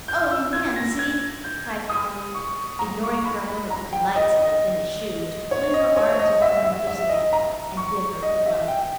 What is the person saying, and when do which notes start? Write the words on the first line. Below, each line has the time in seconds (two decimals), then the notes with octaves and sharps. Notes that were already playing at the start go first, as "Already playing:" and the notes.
"Oh, mamsie!" cried Polly, ignoring for a moment the delights of the finished shoe to fling her arms around her mother's neck and give her a good hug.
0.08 G6
0.31 E6
0.53 G#6
0.76 A#6
0.99 G#6
1.44 G6
1.89 D#6
2.34 C#6
2.79 A#5
3.03 C#6
3.25 B5
3.48 B5
3.71 A#5
3.93 G5
4.16 D#5
4.39 D#5
5.51 C#5
5.74 D#5
5.96 C#5
6.20 D#5
6.42 E5
6.64 E5
6.87 E5
7.09 D#5
7.33 A#5
7.77 C#6
8.23 D#5
8.46 E5
8.68 G5